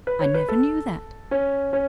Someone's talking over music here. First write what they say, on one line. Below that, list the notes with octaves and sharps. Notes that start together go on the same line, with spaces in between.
I never knew that.
B4
C#5
B4
A4
C#4
C#4